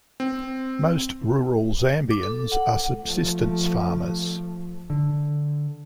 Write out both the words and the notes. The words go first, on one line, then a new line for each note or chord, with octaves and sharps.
Most rural Zambians are subsistence farmers.
C4
D6
A4
F#5
F3 A3
D3